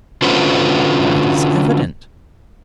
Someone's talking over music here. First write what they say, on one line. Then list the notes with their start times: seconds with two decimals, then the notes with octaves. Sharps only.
That is evident.
0.22 D3 C#4 F4 F#4 B4 C5